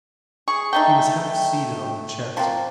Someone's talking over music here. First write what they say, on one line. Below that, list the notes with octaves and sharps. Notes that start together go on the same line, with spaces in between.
He was half seated on the chest.
G#4 C#6
D3 A3 D#4 G5
F3 A#3 C4